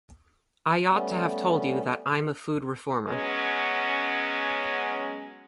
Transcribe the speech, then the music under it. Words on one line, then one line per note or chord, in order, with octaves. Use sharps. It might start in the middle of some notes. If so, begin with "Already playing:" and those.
I ought to have told you that I'm a Food Reformer.
G3 A3 B3 C#4
F#3 G#3 B3 C#4